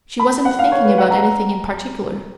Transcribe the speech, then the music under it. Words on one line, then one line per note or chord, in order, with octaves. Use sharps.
She wasn't thinking about anything in particular.
B5
F#5
F5
C#5
B4
F#5
A#5